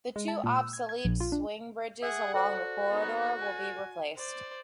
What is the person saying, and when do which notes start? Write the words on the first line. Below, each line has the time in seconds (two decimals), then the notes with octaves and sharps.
The two obsolete swing bridges along the corridor would be replaced.
0.16 G#3
0.28 A5
0.44 A#2
0.56 E6
0.73 G#6
0.89 G#6
1.05 A#1
1.20 F4
1.32 D4
2.03 G#4 E5 F#5
2.34 F#4 A4 C5 D5
2.89 B3 D#4
3.40 G#5
4.16 C5 D5